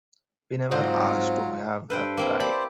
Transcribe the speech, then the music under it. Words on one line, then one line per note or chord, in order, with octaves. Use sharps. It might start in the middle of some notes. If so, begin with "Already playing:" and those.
We never asked to have her die.
G#2 F#3 C4 F4 C5 D#5
G2 A4 B4 C5 G5
A#3 C4 E4
G4 C5 D5 A5 B5